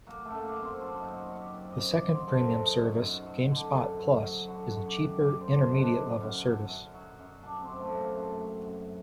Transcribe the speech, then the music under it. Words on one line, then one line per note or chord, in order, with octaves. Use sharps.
The second premium service, GameSpot Plus, is a cheaper, intermediate-level service.
F#3 A#3
A3
F#2
A#3
F#3
C4
F#2 D4
D#4
F#3
F#4
F#2
G4
F#3 D5
D#5
F#2
D5
F#3
C5
F#2 A4
F#3
D#4
F#2
F#4
F#2
F#3
D3
F#2
F#2
F#3
D3 F#4
F#4
F#2
G4
F#2
D5
F#3 D5
C5
D3
D#4
F#2
D4
F#3
F#2
F#3
F#2
F#3
F#2
F#3 D4
C4
F#2
A3
F#3
A#3
F#2 A3
F#3
F#2